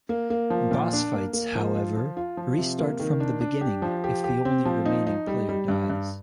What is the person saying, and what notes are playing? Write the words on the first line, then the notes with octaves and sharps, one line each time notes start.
Boss fights, however, restart from the beginning if the only remaining player dies.
A#3
A#3
F3
A#2
D4
A#3
A#3
F3
F4
F3
F4
F3
C3
A#3
D#3
D4
D4
G4
F3
G4
G4
C4
F3
D#4
D#4
G3
G3
G2
G2